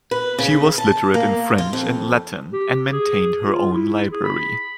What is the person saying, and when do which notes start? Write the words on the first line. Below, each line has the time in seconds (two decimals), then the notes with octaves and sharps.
She was literate in French and Latin and maintained her own library.
0.11 B4
0.38 C#3
0.78 A5
1.14 A#3
1.58 F4
1.73 F2
2.53 G4
2.93 G#4
3.45 F4
3.72 E4
4.11 G#4
4.24 B5